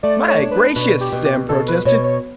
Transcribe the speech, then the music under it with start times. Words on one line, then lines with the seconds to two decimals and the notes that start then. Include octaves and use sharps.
"My gracious!" Sam protested.
0.03 A3 D5
0.28 C#5
0.40 D4
0.51 B4
0.76 B2 B4
1.01 G4
1.13 B2
1.25 G4
1.49 B2 A4
1.68 B4
1.85 B2 C#5
2.04 C#5